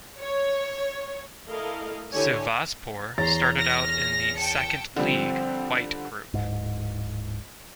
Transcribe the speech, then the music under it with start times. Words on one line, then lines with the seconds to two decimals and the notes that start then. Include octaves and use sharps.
Sivasspor started out in the Second League, White Group.
0.18 C#5
1.48 A3 E4 A4 A#4 D#5 F5
2.13 D3 E4 G4 C#5 G#5
3.18 E2 C#5 A#5 C6 A6
3.56 F6 A#6
4.37 G5 A5 C#7
4.96 D3 F3 G3 C4
6.34 D1 G1 G#2